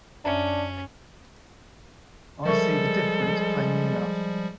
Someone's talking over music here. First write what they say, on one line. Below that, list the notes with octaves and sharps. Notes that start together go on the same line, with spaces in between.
I see the difference plainly enough.
F#2 C#4 D4 E5
F3 G3 G#3 A4 A#4 E5 C#6